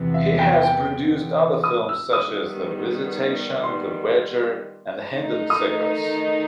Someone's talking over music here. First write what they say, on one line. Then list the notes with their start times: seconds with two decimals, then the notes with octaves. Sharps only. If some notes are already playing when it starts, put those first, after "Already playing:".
He has produced other films such as "The Visitation", "The Wager", and "Hidden Secrets".
Already playing: E2 C3 E3 B3
0.14 E5
0.39 G5
0.63 G5
1.64 D#6
1.89 E6
2.13 D#3 G3 B3 D#6
3.63 C6
5.13 D#3 A3 D#4
5.50 D#6